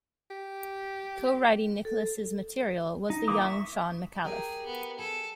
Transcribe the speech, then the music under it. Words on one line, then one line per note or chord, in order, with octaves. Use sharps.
Co-writing Nicholas's material was the young Shaun Micallef.
G4
A4
D#4
D3 E3 A#3 D6 D#6
E5 C#6
G4 G#4 A#4
B3
G#4 A4